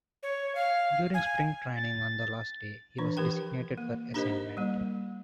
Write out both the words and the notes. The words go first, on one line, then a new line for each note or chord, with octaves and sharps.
During spring training on the last day, he was designated for assignment.
C#5
F5
G#5
A6
E3 F3 D4
E3 G4 A#4 G5
A#3
D4 D#4 G4 A#4 C5 D#5
G3 A#3